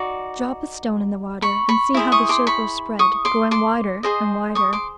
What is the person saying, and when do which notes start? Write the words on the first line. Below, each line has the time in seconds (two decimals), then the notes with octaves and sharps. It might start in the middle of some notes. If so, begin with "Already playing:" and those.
Drop a stone in the water and see how the circles spread, growing wider and wider.
Already playing: D#4 F#4 D5
1.42 B5 C#6
1.69 B5 C#6
1.94 E4 G#4 C5
2.12 C#6 D#6
2.29 C6 D6
2.47 B5 C#6
2.99 C#6 D#6
3.25 C6 D6
3.51 C6 D6
4.03 G#4 C5 D#5
4.55 C#6 D#6
4.73 C6 D6